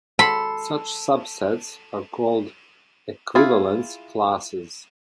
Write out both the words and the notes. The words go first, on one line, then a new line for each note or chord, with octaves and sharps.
Such subsets are called "equivalence classes".
A4 B5 C6
E4 F4 G#4